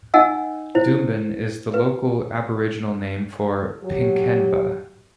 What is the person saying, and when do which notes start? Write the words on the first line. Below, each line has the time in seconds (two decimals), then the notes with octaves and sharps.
Doomben is the local Aboriginal name for Pinkenba.
0.14 D#4 D#5 F#5 G#5 E6
0.75 E4 C5
1.74 B4
3.83 F#3 G4